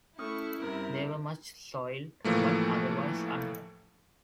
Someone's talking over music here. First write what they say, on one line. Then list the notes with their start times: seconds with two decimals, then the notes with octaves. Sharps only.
They were much soiled, but otherwise unhurt.
0.19 A3 C#4 E4 C#6 D#6 F6
0.59 G2 C3 A#4
2.24 A2 E3 F3 A3 A#3